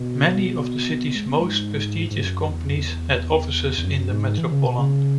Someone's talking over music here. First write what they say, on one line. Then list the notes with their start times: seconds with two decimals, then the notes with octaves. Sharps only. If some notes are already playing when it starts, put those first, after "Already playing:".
Many of the city's most prestigious companies had offices in the Metropolitan.
Already playing: B2
1.15 G#2
1.27 B2
1.40 G#2
2.11 G#2
2.23 F#2
2.50 E2
2.68 F#2
2.76 E2
3.78 E2
3.84 F#2
4.11 G#2
4.38 E3
4.52 C#3
4.65 B2
4.78 C#3